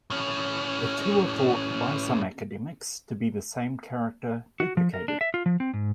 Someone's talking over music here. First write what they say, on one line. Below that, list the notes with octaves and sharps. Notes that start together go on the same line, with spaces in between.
The two are thought by some academics to be the same character, duplicated.
A2 C#4
F#4
F3
A#4
D4
E5
F4
F3
C4
G#2